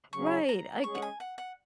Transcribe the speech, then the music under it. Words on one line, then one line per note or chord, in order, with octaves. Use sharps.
Right, I g
C#3 F#3 C#4 G#4 C#6
A#5
G#3 C#4 G#4 C#6
F#5
G#5
F#5
F#5